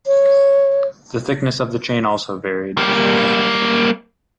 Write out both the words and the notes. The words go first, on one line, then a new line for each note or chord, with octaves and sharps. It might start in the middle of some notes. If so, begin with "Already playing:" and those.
The thickness of the chain also varied.
C#5
G3 A#3